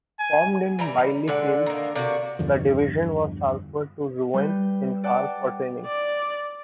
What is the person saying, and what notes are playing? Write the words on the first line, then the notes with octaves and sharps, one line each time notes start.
Formed in Bielefeld, the division was transferred to Rouen in France for training.
G#5
E3 G3 A#5
D3 G#3 D4 F#5
D#3 A#3
C3 A#3 F#4 D5
E2 G2 D3 F3
G3 B4 G6
D5 F#5 G5 A5 D6
D5